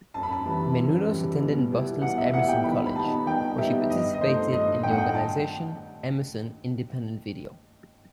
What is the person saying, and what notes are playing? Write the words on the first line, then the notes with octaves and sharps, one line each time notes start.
Menounos attended Boston's Emerson College, where she participated in the organization Emerson Independent Video.
F#2 A5
B5
A5
E3 G3
F#2
E3 G3
B2
G3 B3 E4
B2 F#5
E5
G3 B3 E4 F#5
G5
D#3 B5
B5
G3 B3 D#4 A5
D#3 G5
G3 B3 D#4 E5
G2 D#5
D#5
D#3 A3 C5
G2 D#5
D#3 A3 G5
F#5
G5
A5